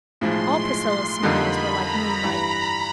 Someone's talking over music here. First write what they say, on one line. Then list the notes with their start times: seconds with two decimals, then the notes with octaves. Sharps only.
All Priscilla's smiles were like moonlight.
0.21 B1 A2 F3 G#3 C6
1.22 F2 D3 G3 A#3 D#4 B5
1.73 A#5
2.23 G2 E3 G3